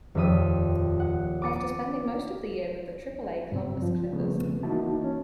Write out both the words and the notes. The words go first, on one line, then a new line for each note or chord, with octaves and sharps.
After spending most of the year with the Triple-A Columbus Clippers.
D#1 F2 E5 D#6
F#5
D6 D#6 A6 C#7
G2 C#3 C4
F3
C#3 F3 G3 A3 B3 C4
E3 A#3 D#4 E4 F#4 A5
C#4 C#5